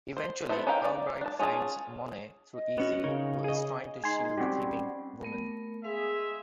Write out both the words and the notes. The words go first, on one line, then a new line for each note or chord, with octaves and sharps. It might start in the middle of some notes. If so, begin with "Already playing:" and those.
Eventually, Albright finds Monet through Easy, who is trying to shield the thieving woman.
C5
B3 E4 A4 C5 E5
C#4 D#4 A#4 F5 G5
D5
D4 A5
C#4 F4 G#4 A#4 A5
D#5
B3 C#4 F#4
C#3 D#4 A#4 C#5
G#4 D#5
G#3 D#4 G#5 C6
G3 C4 C#4 F#4 G4
A3 B3 A#4
G#3 G#4 E5 F5 C6